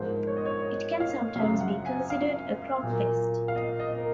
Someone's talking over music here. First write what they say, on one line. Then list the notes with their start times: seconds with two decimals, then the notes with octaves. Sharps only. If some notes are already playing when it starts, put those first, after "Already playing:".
It can sometimes be considered a crop pest.
Already playing: G#2 F3 A#3 C5
0.27 C#5
0.37 D#5
0.45 C#5
0.63 D#5
1.00 F5
1.36 F#2 C#3 F#3 F5
1.61 F#5
1.85 G#5
2.10 F5
2.83 A#2 F#3 A#3
3.48 F5
3.56 D#5
3.80 D#5
3.98 A#4